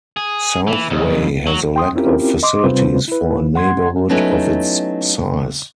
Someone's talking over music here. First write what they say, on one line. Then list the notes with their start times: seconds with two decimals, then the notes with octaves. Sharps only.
Southway has a lack of facilities for a neighbourhood of its size.
0.17 G#4
0.67 E3
0.90 C2 F2
1.47 F#3
1.76 G5 C6 D#6
1.96 C4 C#4 E4 F4 G4 A#4
2.43 D#5 C6 D6
2.64 C3 G3 C4 F4 B4 C5
3.08 E4 B4
3.55 F#5 C6 G#6
4.09 F#3 A3 B3 C#4 D#4 E4